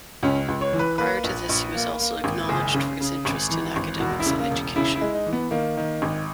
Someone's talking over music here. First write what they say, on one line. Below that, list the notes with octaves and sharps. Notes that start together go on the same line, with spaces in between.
Prior to this, he was also acknowledged for his interest in academics and education.
C#2 C#4
C#2
C#5
E3
B4
A#3 B4
A#1
A#1
A#3
A#3
G#1
F#1 G#4
C#3
C#3
G#1
E3
G#1
E1 F#4
E4
C#3
A#3
E1
C#3 E4
E4
G#3
D#4
E3
B3
D#3 A#3
D#3
G#1